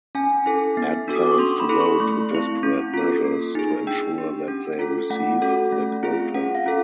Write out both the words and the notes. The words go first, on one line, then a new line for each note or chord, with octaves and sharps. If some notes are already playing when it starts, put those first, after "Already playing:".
Ed plans to go to desperate measures to ensure that they receive the quota.
C#4 G#5
E4 A4
B3
D4 F#4 A4
D#6
D6
C#6
C#4 C6
B5
E4 A4
C#6
A3 C#6
C4 E4
C#4
F4 A4
A#3
D#4 G#4
D4 G5
G4
C#4
F4 A4
A3 F#5
C#4 F#4 A4
A3
C4 F4 G#4
C#4 F#5
F5
F4 A4